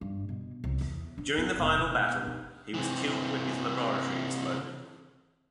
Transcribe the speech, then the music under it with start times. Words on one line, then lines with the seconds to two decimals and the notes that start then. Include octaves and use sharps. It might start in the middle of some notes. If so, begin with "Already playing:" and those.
During the final battle, he was killed when his laboratory exploded.
0.01 G2
0.29 B2
0.64 C2
0.81 E2
1.18 D4
1.38 B3
1.59 F1
1.78 B2
2.27 D#4
2.74 C3 E3